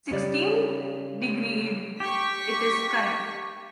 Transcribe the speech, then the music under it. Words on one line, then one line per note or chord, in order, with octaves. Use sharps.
Sixteen degreed: it is correct.
C#3 G3 D5
G4 C#6 B6